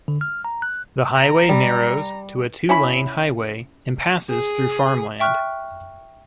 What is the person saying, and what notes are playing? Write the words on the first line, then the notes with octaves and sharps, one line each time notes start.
The highway narrows to a two-lane highway and passes through farmland.
D3
F6
A#5
F#6
A#5
G3
C#4 E4 B5
G#4
E5 G5 C#6 F6 F#6